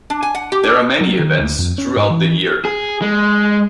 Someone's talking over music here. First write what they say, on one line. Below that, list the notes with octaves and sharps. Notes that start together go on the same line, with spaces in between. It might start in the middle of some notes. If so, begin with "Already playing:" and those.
There are many events throughout the year.
D4
G#5
F#5
G4
D4
F#3
D#3
D2
F2
C#4
G#2
E3
G#4
G#3